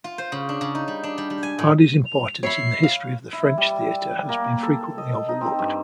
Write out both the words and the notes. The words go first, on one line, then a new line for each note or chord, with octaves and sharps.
Hardy's importance in the history of the French theatre has been frequently overlooked.
F4
C5
C#3
D4
C#3
D#4
G3
D4
G3
G3
G#5
A2
D#7
F7
C#5 E5 B5 C7
F5
E4
G3
A#3
A4
D#5
D#4
C4
G2